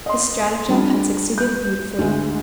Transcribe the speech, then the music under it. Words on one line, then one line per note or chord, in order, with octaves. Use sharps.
His stratagem had succeeded beautifully.
D#5 C6
G3 D4 F4
G6
D2 G#3